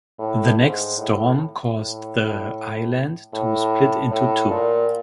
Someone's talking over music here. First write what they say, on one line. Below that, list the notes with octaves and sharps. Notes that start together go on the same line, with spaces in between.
The next storm caused the island to split into two.
A2
G#2
A2
A2
A2
A2
A#2